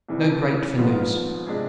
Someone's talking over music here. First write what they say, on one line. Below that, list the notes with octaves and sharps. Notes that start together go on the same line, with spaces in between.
No great for news.
C2 C3 E3
G#1 G#2 F3 B3 F4
C3 G#3 D4 G#4